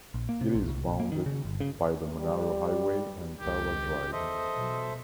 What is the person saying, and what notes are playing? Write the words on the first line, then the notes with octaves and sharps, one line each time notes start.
It is bounded by the Monaro Highway and Tharwa drive.
A#1
A#3
C3
A#1
C2
A#1
A#3
D#3
C#3
G1
C#3
G3
C#2 D#3 G4
E2 A4 C5 D#5 E5
B2 F#3